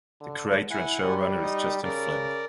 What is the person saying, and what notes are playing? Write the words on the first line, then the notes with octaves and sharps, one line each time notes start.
The creator and showrunner is Justine Flynn.
D3
E4 F#5 G#5
G3
D#4 D#5
C#3 A#4 D5